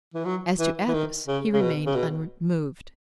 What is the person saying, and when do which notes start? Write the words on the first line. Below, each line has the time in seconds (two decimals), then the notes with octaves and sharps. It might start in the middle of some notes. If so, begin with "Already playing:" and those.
As to Athos, he remained unmoved.
0.14 E3
0.25 F#3
0.59 E3
0.88 E3
0.94 D#3
1.28 C#3
1.53 C#3
1.61 B2
1.86 C#3
1.95 B2